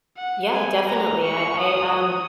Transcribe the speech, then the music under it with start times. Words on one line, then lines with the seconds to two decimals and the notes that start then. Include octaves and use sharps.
Yeah. Definitely. I I, um,
0.17 F#5
0.53 G#5
0.87 A#5
1.23 C#6
1.59 D#6
1.94 D#6